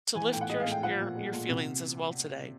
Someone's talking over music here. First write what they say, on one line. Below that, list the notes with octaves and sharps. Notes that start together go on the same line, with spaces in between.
to lift your your your feelings as well today.
E3 G#5
A2 G5
F#5
G#3 D#5
F5
A2
G5
F3 F#5
A#2
G#3
A#2
C3